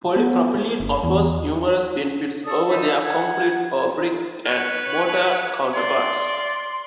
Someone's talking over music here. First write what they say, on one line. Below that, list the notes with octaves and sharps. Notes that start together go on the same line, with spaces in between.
Polypropylene offers numerous benefits over their concrete or brick and mortar counterparts.
B3
G1
E2
A4 D5 D#6
D#4 E5 B5
F#5 G#6
B4 C#5
D5 C6